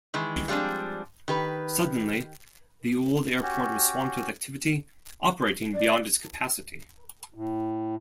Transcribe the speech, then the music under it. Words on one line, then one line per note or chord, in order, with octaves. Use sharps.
Suddenly, the old airport was swamped with activity, operating beyond its capacity.
D#3 E3 G#3
F3 G3 G#3 C4 D4
D#3 G4 B4
C#4 F#4 G4
D5
A2